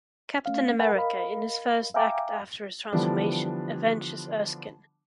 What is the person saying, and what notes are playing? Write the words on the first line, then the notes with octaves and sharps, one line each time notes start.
Captain America, in his first act after his transformation, avenges Erskine.
A3 C#4 F5
A#4 E5 F#5 G#5 B5
A#4 D#5 F5 B5
E5 F5 G5 G#5 A#5 D6
D3 E3 F3 G3 B3 D4